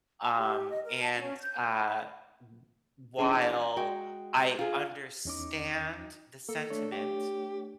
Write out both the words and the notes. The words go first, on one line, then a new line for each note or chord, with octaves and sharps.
um, and, uh, w while I understand the sentiment,
A5
G4
D#5
A#4
A5
C#4
G6
B5
E3 C#4 D4 G#4
G#3 F#4 G5
F4 G#4
E2 C#4 D#4 D6
A#3 A4
A3 D4 C#5
G4